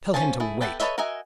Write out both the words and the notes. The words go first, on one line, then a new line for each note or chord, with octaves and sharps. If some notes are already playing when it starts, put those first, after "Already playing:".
Tell him to wait.
F3 C#4 C5 G#5 A5
A3 E4 G#4
B3 G4 A4 E5 F#5
A4 B4 C#5 D#5 E5
F#4 A#4 D#5 E5 G#5